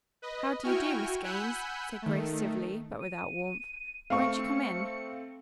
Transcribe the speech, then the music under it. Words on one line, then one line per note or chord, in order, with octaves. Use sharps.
"How do you do, Miss Gaines," said Grace civilly, but without warmth. "Won't you come in?"
B4 D#5
E4 F#4 G5 G#5 C#6 F6
F#5 G#5 B5 E6 F#6 G6
D#3 A3
D#7
A3 C4 F5 C#6 C#7